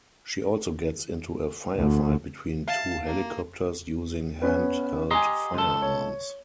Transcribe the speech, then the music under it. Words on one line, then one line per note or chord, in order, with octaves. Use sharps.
She also gets into a firefight between two helicopters, using handheld firearms.
D2
F5 A5
A#3
B3 C#4 B4
G4 D#5 G#5 A#5 C6
C#2 A4 C6
C#5